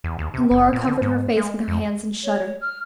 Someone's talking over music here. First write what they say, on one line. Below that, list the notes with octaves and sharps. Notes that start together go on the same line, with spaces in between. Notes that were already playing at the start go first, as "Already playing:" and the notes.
And Lora covered her face with her hands and shuddered.
E2
D#2
C3
F#1
A#2
D3
G#2
G#3
F2
C#5
F6